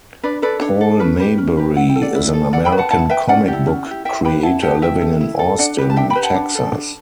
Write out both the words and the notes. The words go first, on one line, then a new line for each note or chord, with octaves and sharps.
Paul Maybury is an American comic book creator living in Austin Texas.
D4 B4 D5
A4 B4 D5
D4 C#5
A4
C#4 B4
G4 B4
C#4
G4 B4
E4 F#5
G5
A4
D5 F#5
E4
A4
E4 D5 F#5
G5 B5
B4
F#5 A5
E4 F#5 A5
B4 E5 G5
C#4 D5 F#5
G4
E4
C#4
E4 G4
E4 E5 G5
G4 B4 G5 B5
E4 F#5 A5
G4 B4 F#5 A5
E4 E5 G5
A4
E4
A4
D4 D5 F#5
G4 B4
A5
D4 E5 G5
G5 B5
G4 B4
F#5 A5
D4
A4
D4